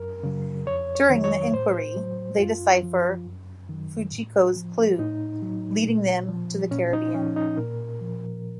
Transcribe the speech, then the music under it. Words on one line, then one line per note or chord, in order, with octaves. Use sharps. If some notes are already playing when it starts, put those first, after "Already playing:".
During the inquiry, they decipher Fujiko's clue, leading them to the Caribbean.
Already playing: F#2 A#4
C#3 F#3
F2 C#5
C#5
D#3 F#3
C#5
A2 C5
F#3
F#2 F4
F3
F#2
D#3 F#3
A2
F3
A2 D#4
F#3
A#2
F3
A#2 C#4
D#4
F3 C#4
D#4
A#2 A#4
F3